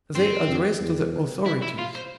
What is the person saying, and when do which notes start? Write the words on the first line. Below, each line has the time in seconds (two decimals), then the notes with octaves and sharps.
They addressed to the authorities.
0.15 G2 C4
0.48 F2
0.80 E2
1.46 E4
1.62 E4
1.78 F4
1.95 C5